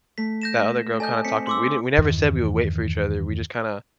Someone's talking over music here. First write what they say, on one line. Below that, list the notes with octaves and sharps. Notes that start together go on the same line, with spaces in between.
that other girl kinda talked ab we didn't we never said we would wait for each other, we just kinda
A3 B6
G6 A#6 E7
A4 D5 D#5 G#5 G6
C4 B6 C#7
C6 D6 E6
E2 G2 D#3 E3